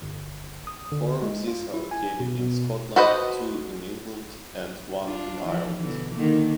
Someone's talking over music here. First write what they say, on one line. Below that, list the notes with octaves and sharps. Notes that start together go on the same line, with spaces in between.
Four of these are located in Scotland, two in England, and one in Ireland.
G1
D#6
D3
G#3
F4
E4
G#5
B2
B2
F#4 A4 B4 C5 D#5
D4 F4
E3 F3
B2 D3 E3
D3 D#3 A#3